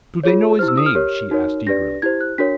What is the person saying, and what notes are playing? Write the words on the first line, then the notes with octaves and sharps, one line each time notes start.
"Do they know his name?" she asked eagerly.
F4 G#4 C#5
E4 G4 C5 F6
E6
D#6
F6
G4 A#4 C#5
D#4 F#4 A#4 C#5
D4 G4 B4 D5 A#6
E4 G4 C5 G#6
F#6
D4 F#4 A#4 C#5 B6